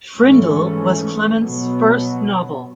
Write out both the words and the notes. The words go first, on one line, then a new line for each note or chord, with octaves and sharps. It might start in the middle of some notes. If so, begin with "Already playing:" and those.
"Frindle" was Clements's first novel.
G#2 E3 A3 C#4
B2 F#3 B3